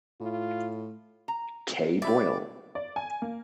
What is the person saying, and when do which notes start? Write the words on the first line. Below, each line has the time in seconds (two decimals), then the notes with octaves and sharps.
Kay Boyle.
0.20 A2 F4
1.28 A#5
2.02 G3 C#5 D5 E5 B5
2.75 D5
2.96 G#5
3.22 A#3